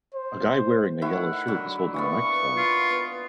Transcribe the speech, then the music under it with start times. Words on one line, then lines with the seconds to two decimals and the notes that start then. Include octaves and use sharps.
A guy wearing a yellow shirt is holding a microphone.
0.14 C5
1.02 D#3 A3 E4 F#5
1.47 D3 F#3 A#4
1.94 E3 A#3 B3 C#6
2.57 F4
2.90 B3